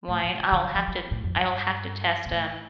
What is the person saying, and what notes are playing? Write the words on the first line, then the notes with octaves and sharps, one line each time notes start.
wine. I'll have to I'll have to test 'em
A2
A#2
C#3
D3
F3
G3
A2
F2
G2
A#2
A2